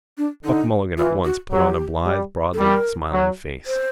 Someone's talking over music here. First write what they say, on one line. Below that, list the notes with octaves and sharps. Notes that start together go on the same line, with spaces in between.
Buck Mulligan at once put on a blithe broadly smiling face.
D4
D3 D#4
E3 F4
F#4
F#3 G4
G3
A4
G3 A#4
F#3
C5